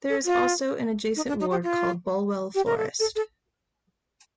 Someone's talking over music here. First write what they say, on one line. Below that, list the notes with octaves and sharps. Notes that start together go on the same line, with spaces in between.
There is also an adjacent ward called Bulwell Forest.
A4
F4
D#4
D4
D#4
G4
F4
G4
A#4
A4
A4
A4